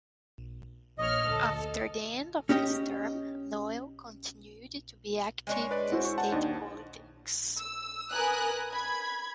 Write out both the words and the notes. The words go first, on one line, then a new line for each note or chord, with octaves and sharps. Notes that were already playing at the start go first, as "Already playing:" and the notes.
After the end of his term, Noel continued to be active in state politics.
A#1 C#5 D#5 F6
D2 A4
C#4 G4 D#5
G#3 D4 C#5
B4 D5
E4 F#4 C5
C#6
F#5 A5
D#2 D4 D#4
E6
A#4 B4 G#5 D#6 F#6
B5 G#6